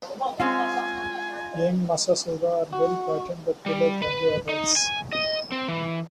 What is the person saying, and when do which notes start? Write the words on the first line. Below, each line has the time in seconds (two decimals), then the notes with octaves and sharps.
Young massasauga are well-patterned but paler than the adults.
0.40 G#3 C4 C#4 F4 G#5
2.73 F#4
3.66 G3
4.02 B4
4.49 D#4
4.76 G#5
5.13 D#5
5.52 C4
5.68 E3